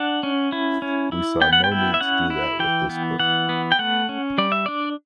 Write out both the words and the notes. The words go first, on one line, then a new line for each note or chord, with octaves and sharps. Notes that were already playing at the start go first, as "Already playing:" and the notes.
We saw no need to do that with this book.
Already playing: D4 F#5
C#4
E4
C#4
E4
B3 G5
F#5
G5
E4
E5
C#4 F#5
E4
E3 G5
B3
E3 F#5
B3
G5
A3 F#5
C#4
G3 D5
E5
D4 D5